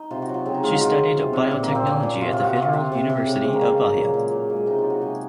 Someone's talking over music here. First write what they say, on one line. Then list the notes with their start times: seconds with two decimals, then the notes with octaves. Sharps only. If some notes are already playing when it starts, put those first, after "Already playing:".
She studied Biotechnology at the Federal University of Bahia.
Already playing: D#4
0.11 C3 F4
0.22 F#4
0.29 F#3
0.34 F4
0.46 C#3 C4
0.54 D#4
0.63 G#3 F4
0.73 F#4
0.81 C#3 F4
0.98 F#3
1.17 C3
1.33 C3
1.51 A#2
1.63 A#3
1.69 A#2
1.75 C4
1.87 A#2 C#4
2.03 A#2
2.21 C3 F4
2.33 F4
2.38 C3
2.44 F#4
2.56 C3 F4
2.73 C3
2.92 C3
3.09 C3
3.26 C#3
3.35 C#4
3.44 G#3 C4
3.53 A#3
3.61 C#3 C#4
3.79 F#3
3.97 A#2
4.14 A#2
4.32 C#3
4.50 G#3
4.56 F4
4.66 C3 D#4
4.79 F4
4.84 F#3
4.90 F#4
5.01 C3 G#4